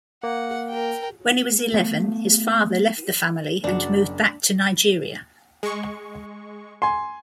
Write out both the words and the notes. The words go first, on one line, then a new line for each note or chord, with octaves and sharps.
When he was eleven, his father left the family and moved back to Nigeria.
A#3 F#5
A#4 G5
A3 B3
F#1 D4 F#4 D5
G#3 C#6
G#5 C6